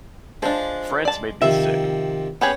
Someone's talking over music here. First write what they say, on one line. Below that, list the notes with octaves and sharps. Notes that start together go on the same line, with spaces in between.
France made me sick.
F3 G#3 D4
D5 A5
C3 D#3 F3 E5
B3 C#4 G4 G#4